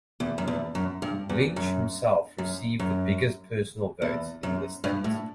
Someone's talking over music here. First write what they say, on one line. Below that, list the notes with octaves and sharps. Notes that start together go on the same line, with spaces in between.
Lynch himself received the biggest personal vote in the state.
E2
F#2
E2
F#2
G2
E2
F#2
F#2
F#2
E2
F#2
G2
A2